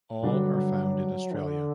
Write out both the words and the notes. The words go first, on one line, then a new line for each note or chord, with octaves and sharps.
All are found in Australia.
G2 D3 F#3 G3 D4 F#4
D3